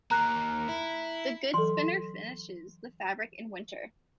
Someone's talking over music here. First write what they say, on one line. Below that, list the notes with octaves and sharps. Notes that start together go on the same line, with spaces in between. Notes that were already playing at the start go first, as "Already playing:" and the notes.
The good spinner finishes the fabric in winter.
D#2 A#3 A#5 F#6
E4
E3 F#3 A4 C6